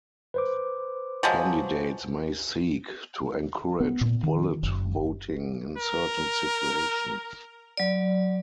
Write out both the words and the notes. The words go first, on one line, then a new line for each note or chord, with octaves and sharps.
Candidates may seek to encourage bullet voting in certain situations.
B4 C5 D6
F3 F#3 G#3
B3
A#2
D#3
F#1
A#4
F#3 D5